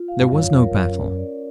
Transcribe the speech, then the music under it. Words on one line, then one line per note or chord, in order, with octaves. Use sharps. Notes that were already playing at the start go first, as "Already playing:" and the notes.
There was no battle.
Already playing: F4
F5
G#2
G2 C#5
F#2
F2
A#4
F#2
C#4
D5